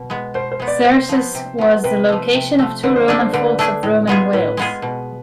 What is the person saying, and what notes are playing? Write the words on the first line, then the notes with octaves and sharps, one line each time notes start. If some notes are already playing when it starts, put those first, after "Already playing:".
Caersws was the location of two Roman forts of Roman Wales.
Already playing: B2
G#3 B3
B2 C5
C5
G#3 B3
D5
C3 C5
F3 B3
C3
F3 B3
C3 B4
F3 A3
C3
F3 A3
D3 B4
C5
A3 D4 G#4 D5
C5
D3 B4
A3 D4 G#4
A2
G#3 B3 F4 G#4
A2 B4
G#3 B3 F4 G#4
B2